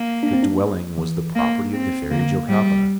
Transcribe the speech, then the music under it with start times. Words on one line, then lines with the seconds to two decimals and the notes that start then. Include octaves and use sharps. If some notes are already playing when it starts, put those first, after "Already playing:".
The dwelling was the property of the Fairy Jocapa.
Already playing: A#3
0.23 D4
0.33 C4
0.43 D4
0.98 E3
1.35 A#3
1.74 C4
2.11 D3 A#3
2.48 G3